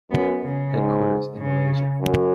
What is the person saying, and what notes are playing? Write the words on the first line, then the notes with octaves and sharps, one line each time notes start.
Headquarters in Malaysia.
F#2 B3
C#3
G#2
C#3
F#2